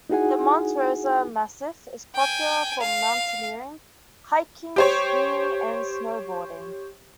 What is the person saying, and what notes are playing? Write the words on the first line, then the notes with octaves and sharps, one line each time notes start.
The Monte Rosa massif is popular for mountaineering, hiking, skiing and snowboarding.
D#4 E4 F#4 G#4 F#5 G#5
G5 G#5
F5
G4 C5 C#5